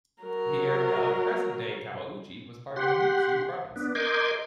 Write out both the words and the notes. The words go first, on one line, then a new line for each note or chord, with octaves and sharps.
The area of present-day Kawauchi was part of Mutsu Province.
F#3 A#4
G4 F#5 C6
B3 D4
A#4 D#5 C6 D6 G6 G#6